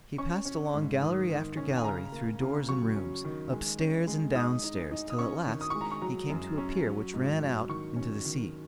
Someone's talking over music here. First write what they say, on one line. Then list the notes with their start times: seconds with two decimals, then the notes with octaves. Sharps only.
He passed along gallery after gallery, through doors and rooms, up-stairs and down-stairs, till at last he came to a pier which ran out into the sea.
0.18 C#4 C#6
0.45 C#4
0.74 G#2
1.02 D#3 D#6
1.29 D#3
1.57 C#4
1.77 G#5
1.84 C#3 A#5
2.12 A#3
2.41 C#3
2.69 F#3 C#6
2.96 C#4
3.24 D#3
3.52 G#3
3.79 C#4
4.07 G#3
4.35 D#4 D#6
4.64 D#4
4.91 D#4
5.10 D#6
5.19 C#4 C#6
5.47 D#3
5.61 D#6
5.70 G#3 C#6
5.81 A#5
5.91 C#6
6.01 F#3 A#5
6.30 F#2
6.58 C#4
6.86 F#3
7.14 G#2
7.41 F#3
7.69 D#3 C#6
7.96 C#4
8.25 D#3